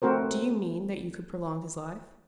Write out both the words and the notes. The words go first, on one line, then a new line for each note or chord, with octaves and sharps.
"Do you mean that you could prolong his life?"
A3 C4 F#4 A#4 C5